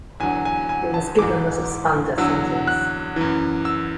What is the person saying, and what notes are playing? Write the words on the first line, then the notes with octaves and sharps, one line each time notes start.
He was given a suspended sentence.
E2 D3 F#3 G#5
G#5
G#5
A5
G#2 E3 D6
E2 D3 F#3 E6
F#6
F#2 E3
E6